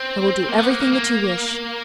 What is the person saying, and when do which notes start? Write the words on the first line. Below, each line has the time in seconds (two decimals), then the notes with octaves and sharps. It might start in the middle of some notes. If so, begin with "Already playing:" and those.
"I will do everything that you wish!"
Already playing: C4
0.49 A#3
0.58 B3
0.70 A#3
0.81 A#3
0.93 A#3